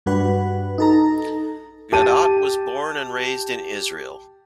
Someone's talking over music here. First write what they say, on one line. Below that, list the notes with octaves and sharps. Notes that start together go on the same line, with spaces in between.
Gadot was born and raised in Israel.
G2 G3 D4 F#4 B4 F#5
D#4 A4 A#5
G4 A5 D#7